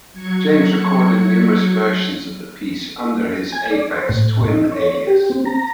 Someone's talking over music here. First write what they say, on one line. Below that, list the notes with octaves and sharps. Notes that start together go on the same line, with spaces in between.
James recorded numerous versions of the piece under his Aphex Twin alias.
F#3 G#6 C#7
G#5
D5
C5
A2
D#4
C#5
G4
C4
A#5